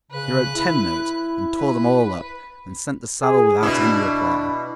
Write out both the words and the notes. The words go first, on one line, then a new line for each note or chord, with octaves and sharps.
He wrote ten notes, and tore them all up, and sent the saddle without any reply.
C#3 B4 F#6
E4
B4
G#4
B2 D4 E4